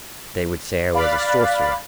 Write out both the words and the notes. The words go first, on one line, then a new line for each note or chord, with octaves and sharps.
'They would say I was a sorcerer.
D5 F5 B5 F#6 A6